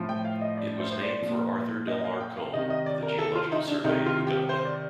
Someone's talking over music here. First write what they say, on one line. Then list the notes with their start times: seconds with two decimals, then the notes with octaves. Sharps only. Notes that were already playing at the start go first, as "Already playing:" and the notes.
It was named for Arthur Delmar Combe of the Geological Survey of Uganda.
Already playing: A2 F3
0.09 G5
0.25 F5
0.41 D#5
0.57 D5
0.80 C5
0.92 C5
1.01 D5
1.22 A#2 F3
1.88 D#5
1.98 D#5
2.04 F5
2.21 G5
2.37 F5
2.53 C3 D#3 D#5
2.70 D#5
2.86 D5
3.03 A#4
3.18 A4
3.35 F4
3.52 D#4
3.68 D4
3.84 C3 D#3 D#4
4.06 F4
4.27 G4
4.49 C5
4.65 D5